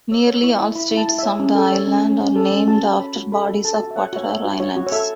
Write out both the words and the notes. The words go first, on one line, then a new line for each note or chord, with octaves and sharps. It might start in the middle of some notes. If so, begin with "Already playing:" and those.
Nearly all streets on the island are named after bodies of water or islands.
C#5 E6
C#5
E6
E4 C#6
E4
E4 B5
E4
A5
E4
C#5 E5
C#4
A4
C#5
C#4
C#4
C#4
A4
C#4
F#4 A5
F#4
C#5 B5
F#4
A4 B5
F#4
A4 A5
F#4
E5
C#5 F#5
F#4 C#5
C#5 E5
F#4
F#4 C#5
F#4
C#5
A4 E5